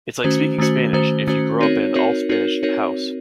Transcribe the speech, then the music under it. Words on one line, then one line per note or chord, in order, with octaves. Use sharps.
It's like speaking Spanish if you grow up in an all-Spanish house.
D#3 A3 C#4 F#4 C5
D#3 A3 C#4 F#4 C5
D#3 A3 C#4 F#4 C5
D#3 A3 C#4 F#4 C5
C4 D#4 F#4 A#4 C#5
C4 D#4 F#4 A#4 C#5
C4 D#4 F#4 A#4 C#5
C4 D#4 F#4 A#4 C#5